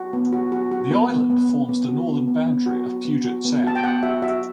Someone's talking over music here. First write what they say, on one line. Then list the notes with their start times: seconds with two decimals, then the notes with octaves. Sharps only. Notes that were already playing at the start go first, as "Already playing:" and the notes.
The island forms the northern boundary of Puget Sound.
Already playing: F#4
0.13 B3
0.32 F#4
0.52 F#4
0.71 F#4
0.91 B3
1.10 B3
1.30 B3
1.49 B3
1.69 B3
1.89 F#4
2.08 B3
2.28 B3
2.46 B3
2.66 F#4
2.86 F#4
3.05 B3
3.25 F#4
3.45 B3
3.64 F#4 A5
3.75 G5
3.84 B3 F#5
4.03 F#4 E5
4.22 F#4 E5